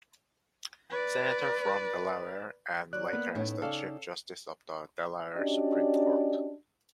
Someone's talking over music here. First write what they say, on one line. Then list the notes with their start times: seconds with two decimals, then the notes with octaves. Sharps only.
Senator from Delaware, and later as the Chief Justice of the Delaware Supreme Court.
0.90 B4 D5
2.93 F#3 D5 F#6
3.13 A#3 B3
3.35 A2 A3 C#4 D#4
3.62 C#3 A4 D5 F5 G5
5.37 C#4 D4 F#4 G4 D5 D#5